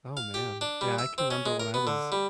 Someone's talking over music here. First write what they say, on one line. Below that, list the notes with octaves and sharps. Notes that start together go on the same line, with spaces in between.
Oh, man. Yeah, I can remember when I was,
F5
G4
D4
G3
E5
C4
C#4
G#3
A#4
B3
D3
G3